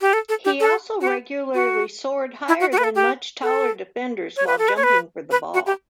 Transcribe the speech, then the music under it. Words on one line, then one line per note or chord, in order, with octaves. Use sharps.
He also regularly soared higher than much taller defenders while jumping for the ball.
G4
A4
A4
G4
A4
F#4
G4
F#4
E4
F#4
F#4
B4
A4
G4
A4
C#5
B4
A4
B4
C#5
B4
B4
F#4
G4